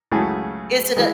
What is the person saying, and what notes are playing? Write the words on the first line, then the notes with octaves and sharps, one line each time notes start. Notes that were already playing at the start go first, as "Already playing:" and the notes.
Is it a
C#2 C#3 F#3 A3 F#4 G#4
E3 G#3